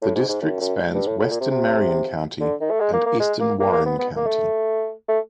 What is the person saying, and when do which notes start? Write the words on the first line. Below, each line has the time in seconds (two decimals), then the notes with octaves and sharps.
The district spans western Marion County and eastern Warren County.
0.02 A2
0.15 G#2
0.29 G#2
0.41 F#2
0.61 F#2
0.94 G2
1.07 A2
1.21 A2
1.31 A#2
1.40 C3
1.51 C3
2.40 D3
2.61 D#3
2.71 A3
2.80 G#3
2.93 A#3
3.06 A#3
3.20 G#3
3.40 A#3
3.60 A#3
3.72 A#3
3.86 B3
3.99 B3
4.16 A#3
4.26 A3
5.09 A3